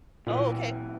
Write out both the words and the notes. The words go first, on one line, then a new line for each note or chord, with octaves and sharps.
Oh, okay.
B1 A#2 E3